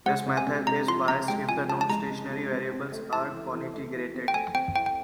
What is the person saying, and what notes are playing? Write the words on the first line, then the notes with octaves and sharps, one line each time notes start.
This method is biased if the non-stationary variables are cointegrated.
G#3 F#5
C3
G#5
C3
C3 A#5
F3 C6
C3 A#5
G#3 G5
F3 G#5
F3 A5
A5
G#3 A#5
C3
C3
C4
C4
A3
E4 A5
E3
E3
A3
E3
C4
G5
A3 G#5
C4 G5
E4 G5
G5